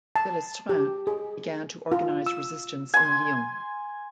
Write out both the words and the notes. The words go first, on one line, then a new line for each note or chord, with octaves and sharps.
Delestraint began to organize resistance in Lyon.
A5
G4
G#4
F4
E6
G#5 C6